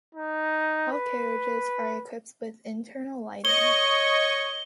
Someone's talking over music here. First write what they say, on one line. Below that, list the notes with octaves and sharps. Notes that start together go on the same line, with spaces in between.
All carriages are equipped with internal lighting.
D#4
B4
C#5 D#5 C#6 G7